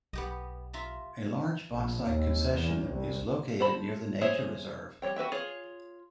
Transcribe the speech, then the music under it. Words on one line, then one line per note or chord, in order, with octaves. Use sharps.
A large bauxite concession is located near the nature reserve.
B1 B3 G4 D#5
F4 E5 A#5
A#1
D#2
E2
C2
C5 A5 B5
G#4 C5 C#5 E5
G3 C#5 G5
F#4 B4 E5 G5
F4 G#4 C#5